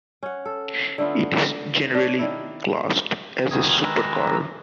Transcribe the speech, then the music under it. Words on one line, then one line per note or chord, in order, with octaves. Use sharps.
It is generally classed as a supercar.
C#4 F#5
A4
D3 A3 B3 F4
D4 C#5
D#3 D4 E4
E2 D#3 D#6 G#6
D#3 G#3 A#4 B4 A#5 E6